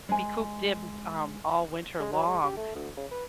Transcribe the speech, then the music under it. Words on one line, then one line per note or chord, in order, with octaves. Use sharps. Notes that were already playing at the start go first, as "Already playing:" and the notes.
be cooped in, um, all winter long
G#3 G#5
G#3
F#3
G#3
G4
A3
D2
C#3
B4